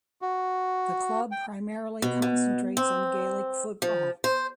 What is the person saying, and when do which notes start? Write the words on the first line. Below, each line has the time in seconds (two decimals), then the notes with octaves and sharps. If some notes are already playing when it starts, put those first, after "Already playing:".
The club primarily concentrates on Gaelic football.
0.22 F#4
1.31 G5
2.02 B2
2.22 B2
2.77 C4
3.82 F3
4.24 C5